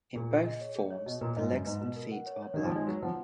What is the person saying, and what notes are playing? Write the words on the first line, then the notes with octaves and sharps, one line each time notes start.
In both forms the legs and feet are black.
A#2 G#4
G#4
D#5
C#5
G#4
C#5
B2 D#5
A#2 B4
G#2 D#5
F#2 B4
G#2 B4
B2 B4
A#4
F#5
C#5
C#5
D#3
D#4
F3
G#3 D#4
F#3 B4
F3 F#5